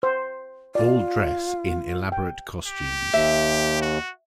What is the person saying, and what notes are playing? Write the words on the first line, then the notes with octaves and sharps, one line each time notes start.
All dress in elaborate costumes.
C5
F4 D5
G5
G4
D#2 E5
F#4